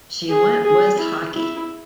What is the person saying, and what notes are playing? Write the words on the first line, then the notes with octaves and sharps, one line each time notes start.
She went with hockey.
G#4
G#4
E4
E4